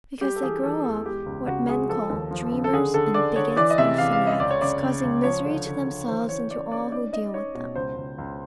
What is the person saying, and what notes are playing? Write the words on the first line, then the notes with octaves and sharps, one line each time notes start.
Because they grow up what men call dreamers, and bigots, and fanatics, causing misery to themselves and to all who deal with them.
G3 G4
A4
E3 G#4
E3 A4
E2 A4
G#3 G4
C#2
C#3 F#4
G#3 G#4
F3 A4
D#2
F3
C#3
A4
D3 G#4
D3 A4
D3 D5
D3 C#5
E3 D5
D#5
C3 E5
E3 F5
F5
C#4
D#5
C#2 D5
C#5
C#3 D5
C#3
C#2
F3 C#5
D3
D3
D3
E3 C5
E3 C#5
C#4 D5
C#4 D5
D#4 D5
D#4 D#5
D#4 C#5
B2 C#5
C#2 C5
C#2
C#2